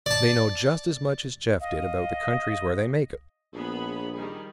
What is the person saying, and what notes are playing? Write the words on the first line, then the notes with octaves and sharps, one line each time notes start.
They know just as much as Jeff did about the countries where they make it.
D5 A5
D#5 F5
A#1 B3 G#4 B5
D#3 G3 G#4